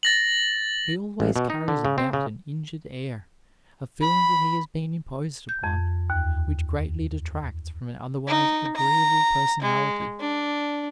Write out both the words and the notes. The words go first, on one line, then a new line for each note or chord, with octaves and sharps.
He always carries about an injured air, a feeling that he has been imposed upon, which greatly detracts from an otherwise agreeable personality.
A6 A#6 F#7
A1
B2
D#4
D3
C#3
C4
C#3
B5
G6
F2
D#2
D#4
A#5
G#3
D4